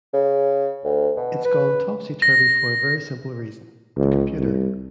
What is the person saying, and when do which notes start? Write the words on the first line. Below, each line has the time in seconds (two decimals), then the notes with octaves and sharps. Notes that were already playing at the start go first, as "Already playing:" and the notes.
It's gone topsy-turvy for a very simple reason - the computer!
0.13 C#3
0.85 D2
1.16 B2
1.44 B4
2.22 A#6
3.97 C#2
4.36 C2